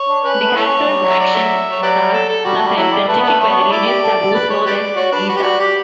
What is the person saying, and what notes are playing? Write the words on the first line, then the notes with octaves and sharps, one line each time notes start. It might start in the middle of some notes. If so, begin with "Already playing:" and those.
The characters' actions are sometimes restricted by religious taboos known as "geasa".
Already playing: C#5
D4
C#4 B4
A3
B3
A3 E4 A4 C#5
C#4
A3
G3
F#3
E5
D5
A4 C#5 E5
C#5
F#3 G4 B4 D5
A4
A4
G3 F#4
A3
G3
F#3 E4
G3 D5
A3 B4
B3
B4
A3
A3 C#5
B3
D4
E4 D5
G4
A4
A4
B4
C#5
G4 B4 D5
F#4 C#5
D4 B4
F#4 B4
G4
F#4 D5
G4